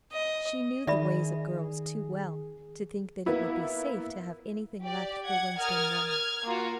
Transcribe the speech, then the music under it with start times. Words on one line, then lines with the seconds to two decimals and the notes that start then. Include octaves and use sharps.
She knew the ways of girls too well to think that it would be safe to have anything left for Wednesday morning.
0.13 D#5
0.87 D#3 G#4 D5 E5 B5
3.26 A#3 B3 E4
4.83 G4 D5
5.26 F#5 G#6
5.58 A#4 D#6 F6 G#6 A6
6.10 F6 G#6
6.45 A#3 F4 F#4